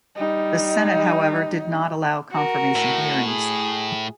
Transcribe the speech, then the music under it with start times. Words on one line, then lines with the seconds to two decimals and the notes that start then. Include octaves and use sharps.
The Senate, however, did not allow confirmation hearings.
0.16 G3 D#4
2.32 F#4 A#4
2.75 A2
3.25 G#4